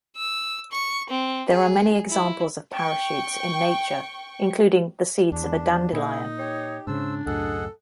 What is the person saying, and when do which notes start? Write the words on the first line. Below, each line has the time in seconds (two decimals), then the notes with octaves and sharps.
There are many examples of parachutes in nature, including the seeds of a dandelion.
0.16 E6
0.72 C#6
1.09 C4
1.49 G#4
2.10 E4
2.74 G5 C#6
5.32 E2 D4
5.93 A#2 D#4 E4 G#4
6.39 G4 C#5
6.87 G#2 C#3 D4 C5 E6
7.26 C#2 F#2 A2 G#4 A4 D#5 F#5